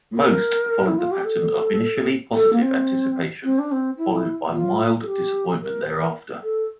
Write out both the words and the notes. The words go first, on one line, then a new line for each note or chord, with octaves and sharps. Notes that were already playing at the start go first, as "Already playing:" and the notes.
Most followed the pattern of initially positive anticipation, followed by mild disappointment thereafter.
A#4
E4
F4
G4
A4
A4
A#3
C4
C4
D4
C4
E4
F4
A4
G4
A#4
C5
A#4
A4